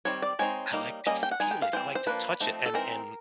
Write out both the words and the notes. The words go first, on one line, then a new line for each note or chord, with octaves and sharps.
I like to feel it, I like to touch it, and and
D#3 G3 C4 C#5
D5
G#3 C4 D#4 C#5
G3 A#3 D#4
G3 A#3 C#4 D#5
G5
F#5
G#3 B3 D#4 G#5
G5
F5
E3 G3 C4 C5
C5
F3 A#3 D4 B4
F3 A3 C4 D#4
A4
E3 G#3 C4 D#4 A#4